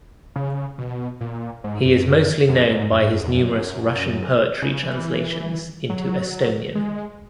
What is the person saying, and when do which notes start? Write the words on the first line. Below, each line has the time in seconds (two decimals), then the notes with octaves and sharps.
He is mostly known by his numerous Russian poetry translations into Estonian.
0.36 C#3
0.78 B2
1.21 A#2
1.64 G#2
1.85 F#2
2.49 F#2
2.70 G#2
2.91 F#2
3.02 G#2
3.13 F#2
3.23 E2
3.34 F#2
4.62 C#3
4.83 E3
5.90 F#3
6.75 G#3